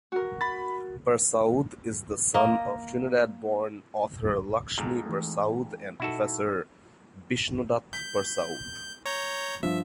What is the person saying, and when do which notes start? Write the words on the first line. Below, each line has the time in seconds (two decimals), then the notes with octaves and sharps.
Persaud is the son of Trinidad-born author Lakshmi Persaud and Professor Bishnodat Persaud.
0.12 F#4 A#4
0.41 B5 A6
2.34 A#3 D#5
4.78 F2 G#2 A#5
5.06 E3 A3
6.00 B2 D#4 E4 F#4 A4
7.93 G6 B6
9.05 C#5 A#5 G6
9.63 G2 F3 E5